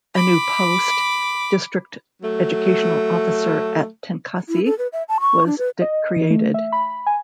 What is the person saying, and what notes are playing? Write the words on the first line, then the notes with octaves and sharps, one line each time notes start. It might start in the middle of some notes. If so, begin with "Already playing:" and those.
A new post, District Educational Officer at Tenkasi, was created.
B5 D6
F#3 A3
E4
A4
B4
E5
A5
C#6
D4
B4
D#5
E3
A3
E5
B5
G#5